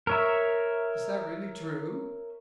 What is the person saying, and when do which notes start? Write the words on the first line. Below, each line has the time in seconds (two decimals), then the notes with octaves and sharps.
"Is that really true?"
0.07 A#4 C#5 E5